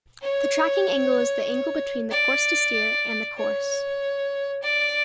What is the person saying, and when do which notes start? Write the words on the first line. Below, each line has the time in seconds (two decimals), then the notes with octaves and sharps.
The tracking angle is the angle between the "course to steer" and the "course".
0.22 C#5
2.11 D5
3.37 C#5
4.63 D5